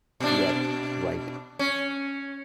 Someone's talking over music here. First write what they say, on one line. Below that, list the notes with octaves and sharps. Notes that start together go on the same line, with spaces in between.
Yep, right!
B2 D4
C#4